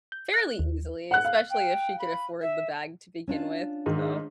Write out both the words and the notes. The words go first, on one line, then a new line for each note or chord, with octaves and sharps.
fairly easily, especially if she could afford the bag to begin with, so
G6
F#6
D#2
F#5 F#6
F5
G5
B5
E5
C#4 D4 F4
G#2 D#3